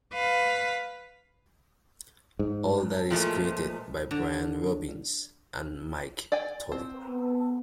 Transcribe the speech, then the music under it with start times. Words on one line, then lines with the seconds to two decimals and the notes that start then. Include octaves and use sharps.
All That is created by Brian Robbins and Mike Tollin.
0.13 B4 F5
2.39 G#2
3.11 A#2 F3 G#3 A3
4.11 D3
6.32 D5 G5 G#5
6.72 C4
7.09 B3